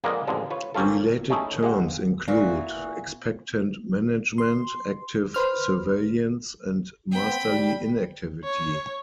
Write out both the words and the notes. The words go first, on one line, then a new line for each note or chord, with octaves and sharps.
Related terms include "expectant management", "active surveillance" and "masterly inactivity".
F2 A#2 G#3 A#3 B3 D#5
A1 F2 A#2 D3 G#3 A5
F4 B4 C#5
A#3 C4 C#4 F4 A4
A3 C#4 D#4 E4 G#4 A4
G#3 G4 F5 F#5
A#2 E3 F#4
C6
B4 C5 F6
B3 C4 G5 B5
G3
C#5